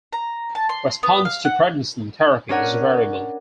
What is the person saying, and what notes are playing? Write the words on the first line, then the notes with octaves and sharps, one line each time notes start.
Response to prednisone therapy is variable.
A#5
A5
C6
B3
F5
F#5
C#4 D4 A#4 C#5 F#5 G#5